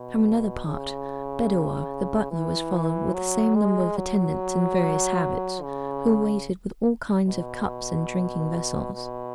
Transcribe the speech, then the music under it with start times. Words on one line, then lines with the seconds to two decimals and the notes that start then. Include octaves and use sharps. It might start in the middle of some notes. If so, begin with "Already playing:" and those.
From another part, Bedoer, the butler, was followed with the same number of attendants, in various habits, who waited with all kinds of cups and drinking vessels.
Already playing: B2
0.66 C#3
2.31 E3
3.13 F#3
3.55 G#3
3.97 F#3
5.62 C#3
7.27 B2
8.93 B2